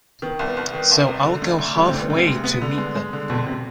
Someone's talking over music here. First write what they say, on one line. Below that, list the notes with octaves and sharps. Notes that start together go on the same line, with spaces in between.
So I'll go halfway to meet them.
D#3 B3
C2
B3
C2
D#3
C2
C3
D3
D2
D2
D3 G3
C4
D2
B3
D2 C3
G#3
B3
D3
G#3
G#3
D3
F2 B2
C3